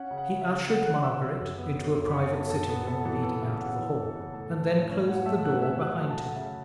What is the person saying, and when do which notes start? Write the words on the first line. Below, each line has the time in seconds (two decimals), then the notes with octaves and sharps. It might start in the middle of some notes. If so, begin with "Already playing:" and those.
He ushered Margaret into a private sitting-room leading out of the hall, and then closed the door behind him.
Already playing: C#4 F#5
0.11 C#3
0.18 F#5
0.29 F#3
0.42 E5
0.48 C#3
0.67 C#3 F#5
0.85 C#3 F#5 F#6
1.03 C#3 E5 E6
1.22 F#3 E5 E6
1.40 F#2
1.58 B3
1.77 F#2
1.95 F#2
2.08 B5
2.13 F#3 C#5 C#6
2.32 B3 A4 A5
2.50 F#2 A4 A5
2.68 B3
2.87 B3 A4 A5
3.05 E3 A4 A5
3.24 B3 A4 A5
3.42 C#3 E5
3.60 C#3 F#5
3.79 E3
3.97 C#3
4.15 C#3
4.34 A2 A4 A5
4.53 A3
4.70 A2
4.89 C#4
5.08 A2 F#5
5.26 A3 E5 E6
5.44 C#4 F#5 F#6
5.62 C#4 E5 E6
5.81 F#3 F#5 F#6
5.99 A3
6.11 A5
6.18 A3 F#5
6.36 C#3 E5